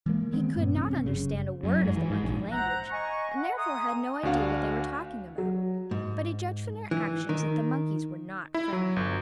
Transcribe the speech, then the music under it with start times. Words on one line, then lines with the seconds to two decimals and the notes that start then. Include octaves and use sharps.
He could not understand a word of the monkey language, and therefore had no idea what they were talking about; but he judged from their actions that the monkeys were not friendly.
0.06 E3 G#3 A#3
0.32 D#3 G#3 B3 C4
0.57 G2 A#2 B3
0.75 A1 C3 C#4
1.06 F#1 C#3
1.63 F#2
1.84 G#2
1.97 E3
2.10 G#2
2.24 A#1
2.52 C5 E5 F#5 A#5
2.91 D#5 G#5 A#5 C#6
3.37 F#5
3.58 A4 E5 G#5 A#5 C6 D#6
4.23 D2 D4 F#4 F5
5.38 F#3
5.91 G#2
6.91 E3
7.29 D#3
8.54 E4
8.73 F#3
8.96 G1